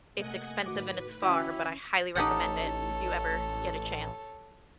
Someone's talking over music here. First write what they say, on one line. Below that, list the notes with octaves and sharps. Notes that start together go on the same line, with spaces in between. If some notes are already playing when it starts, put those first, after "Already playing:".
it's expensive and it's far, but I highly recommend it if you ever get a chance.
C3 A3 A#3 D#5 F#5 G#5
A2 D#3 A3 F#4 B4 D6
D3 C#4 E4 F#4 G5 D6
A1 D#4 G4 A4 C#5 F#5